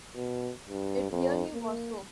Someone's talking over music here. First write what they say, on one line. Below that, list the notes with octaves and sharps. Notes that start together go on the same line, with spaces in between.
It really was so.
B2
G2
F2
A#3